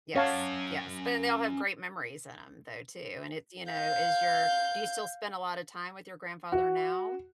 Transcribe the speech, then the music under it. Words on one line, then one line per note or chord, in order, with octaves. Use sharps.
Yes. Yes. But then they all have great memories in 'em, though, too. And it's, you know is your do you still spend a lot of time with your grandfather now?
C#4 C#5 F5 F#5 A5
F5 G6
F#4